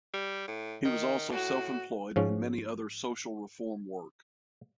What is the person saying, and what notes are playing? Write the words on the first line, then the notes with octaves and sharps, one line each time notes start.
He was also self employed in many other social reform work.
G3
A2
D#3
A2 F#4
G#2 F3 C#4